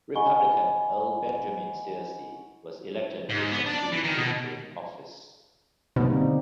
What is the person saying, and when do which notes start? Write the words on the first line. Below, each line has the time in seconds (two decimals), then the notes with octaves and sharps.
Republican Earle Benjamin Searcy was elected to succeed him in office.
0.15 D#5 F#5 G#5 B5 C#6 G7
3.30 G#2
3.52 B3
3.66 D4
3.79 D5
3.92 E3
4.04 D#3
4.18 B2
5.96 B2 G3 A#3 D#4
6.10 D3 C4